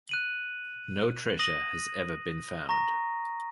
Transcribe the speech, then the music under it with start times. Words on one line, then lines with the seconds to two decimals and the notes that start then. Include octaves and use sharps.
No treasure has ever been found.
0.09 F#6 D#7 F#7
1.39 D#6 A#6 D#7 F#7
2.69 A#5 C#6 A#6